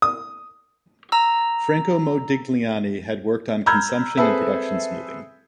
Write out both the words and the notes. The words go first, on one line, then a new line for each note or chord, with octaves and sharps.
Franco Modigliani had worked on consumption and production smoothing.
D#6
A#5 E6
A#5 B5 E6 F6 G6 G#6
C4 G#4 A4 B4 E5